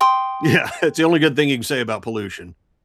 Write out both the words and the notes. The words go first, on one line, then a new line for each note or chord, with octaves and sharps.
Yeah, it's the only good thing you can say about pollution.
G5 C6 D#6